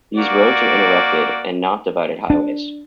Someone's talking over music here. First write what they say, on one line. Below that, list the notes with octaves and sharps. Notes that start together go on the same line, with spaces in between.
These roads are interrupted and not divided highways.
A#3 F#4 D5
D4